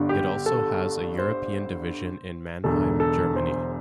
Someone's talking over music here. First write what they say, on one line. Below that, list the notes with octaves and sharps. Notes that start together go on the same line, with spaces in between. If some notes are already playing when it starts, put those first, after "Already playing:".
It also has a European division in Mannheim, Germany.
Already playing: G1 G2 D3
G4
A4
C5
E1 E2 D3 A4
A4
C5